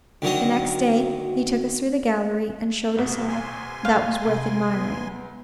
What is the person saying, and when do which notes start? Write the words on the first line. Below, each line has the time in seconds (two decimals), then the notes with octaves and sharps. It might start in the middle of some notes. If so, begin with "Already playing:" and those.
The next day he took us through the gallery, and showed us all that was worth admiring.'
0.22 D2 D#3 F#3 D#5
2.97 D#1 C2 B2 B3
3.29 G#5 C6
3.85 G1 F5
4.24 D2 C3
4.75 B3